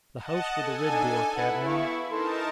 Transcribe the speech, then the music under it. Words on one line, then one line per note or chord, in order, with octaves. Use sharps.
'The house with the red door, cabmin.
D#5 F#5 A5
A4 G#5
D4 D#4
E4 B4 F#5
B3 F5 C#6
E3 D#4 A4 A#4 A5 C6